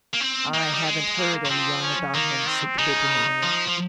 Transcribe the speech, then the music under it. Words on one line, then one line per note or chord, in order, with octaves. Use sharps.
"I haven't heard any yarn about him," said the Bibliomaniac.
A#3
C4
A#3 D#4
G3
G#3
A#3
D#3
F3 C4
C#4
D#3 A#3
C4
C#3 D#4
F3
F3